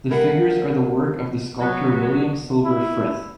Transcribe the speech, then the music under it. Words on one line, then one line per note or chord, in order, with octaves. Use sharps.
The figures are the work of the sculptor William Silver Frith.
D3 G3 E4 A#4 F5 F#5
F#3 B3
E4